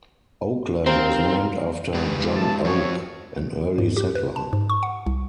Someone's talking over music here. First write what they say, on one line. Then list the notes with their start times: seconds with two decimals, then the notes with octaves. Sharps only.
Oakland was named after John Oak, an early settler.
0.86 C4 D#4 G4 A#4 C5 F5
1.94 G#3 G4 B4
2.35 F#2 A5
2.64 F2 C4 C#5
3.78 G#2
3.97 G4
4.15 B4
4.36 A5
4.53 G#2
4.70 C#6
4.83 F#5
5.06 C2